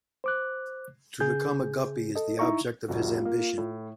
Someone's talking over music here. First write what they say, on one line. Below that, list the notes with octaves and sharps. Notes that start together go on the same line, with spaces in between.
To become a Guppy is the object of his ambition.
C5 D6 F#6
C#3 G#4 G6
A4 D#5
D#4 E4 E5 A#5 C#6
F1 C2 F4 F#4
A#3
A2